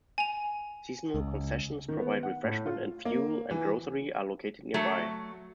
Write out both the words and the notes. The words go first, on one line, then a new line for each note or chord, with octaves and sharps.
Seasonal concessions provide refreshment, and fuel and grocery are located nearby.
G#5 F7
C#2
D#3
B3
F#5
A2
F4
A#3
E3
F#3 A3